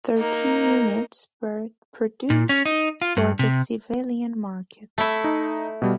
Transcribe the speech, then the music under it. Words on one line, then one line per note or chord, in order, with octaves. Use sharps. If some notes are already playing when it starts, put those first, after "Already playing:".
Thirty units were produced for the civilian market.
A#3 D#4
A#2
C#4
D#4
F4
G2
C3
A3 E4
D#4
B2 G3